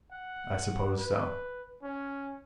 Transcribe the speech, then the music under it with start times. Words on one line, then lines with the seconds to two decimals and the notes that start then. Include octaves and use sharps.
"I supposed so."
0.11 F#5
0.97 B4
1.83 C#4